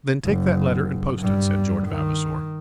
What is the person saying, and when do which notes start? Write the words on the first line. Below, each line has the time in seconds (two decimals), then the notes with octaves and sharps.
"Then take that letter and post it," said George Vavasor.
0.25 F#1
1.18 G2 G3
1.88 D#3